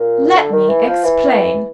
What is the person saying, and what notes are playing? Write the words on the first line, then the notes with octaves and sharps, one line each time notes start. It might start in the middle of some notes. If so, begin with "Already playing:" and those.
Let me explain.
Already playing: A#2
D3
D#3
E3
F3
E3